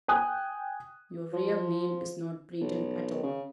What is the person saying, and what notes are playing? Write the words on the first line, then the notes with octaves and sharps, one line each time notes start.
Your real name is not Breton at all.
G5 G#5 D#6 F#6
F3
B1
C#3